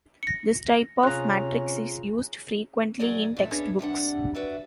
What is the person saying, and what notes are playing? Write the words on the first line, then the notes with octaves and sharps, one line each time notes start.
This type of matrix is used frequently in textbooks.
A#6 C#7
C3 C#4 F4 G#4 A#5 F#6
F2 F#3 G#4 A#4 D5
F2 A#2 A3 D4
D#2 B3 C#4 D4 G#4 A4
C3 G3 D4 F#5
F#4 B4 D5 E5